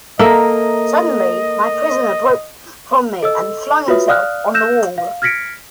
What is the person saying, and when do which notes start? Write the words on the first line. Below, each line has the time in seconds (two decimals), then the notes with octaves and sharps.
Suddenly my prisoner broke from me and flung himself on the wall.
0.19 A#3 A4 A#4 D#5 E5 A#5
3.23 A4 D#5 E6
3.88 F4 F#4 B4 C#5 E5 D#6
4.08 D5 F5 D#6 F6 F#6
4.54 E6 F#6 G6 A#6 E7
4.98 F5
5.22 F6 G#6 A#6 B6 C#7 D7